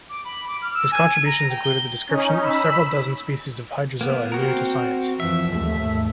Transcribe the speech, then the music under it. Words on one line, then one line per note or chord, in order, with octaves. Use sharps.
His contributions included the description of several dozen species of Hydrozoa new to science.
D6
B5
D6
F6
E6
G#5
D#7
A#5
G5
G7
C#4 D#4
B5 E6
A#3 B3
C4 F#4 A#4
F2 E3 F3 E5
D#2 G#2 A3